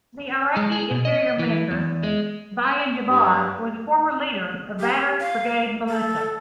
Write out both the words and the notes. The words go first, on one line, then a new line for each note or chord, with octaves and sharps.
The Iraqi Interior Minister, Bayan Jabr, was a former leader of Badr Brigade militia.
G#3
G#4
B2
D#5
E3
E2
G#3
G2
G4
F5
A4